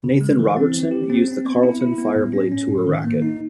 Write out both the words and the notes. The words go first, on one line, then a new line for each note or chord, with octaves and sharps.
Nathan Robertson used the Carlton Fireblade Tour racket.
C#3
G#3
E3
C4
C4
G4
C4
C4
B3
E4
E4
B3
A2
C#4
C#4
A2
D#3
A#3
D#4